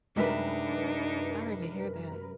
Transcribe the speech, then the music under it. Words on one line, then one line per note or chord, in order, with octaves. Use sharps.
sorry to hear that.
F#2 C3 G#3 D4 D#4 A#4 B4 E5